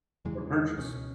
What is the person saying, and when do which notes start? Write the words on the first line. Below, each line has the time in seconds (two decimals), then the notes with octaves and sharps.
for purchase,
0.25 E2 C#3 E3 G#3
0.76 C#2 B2 A3 C#4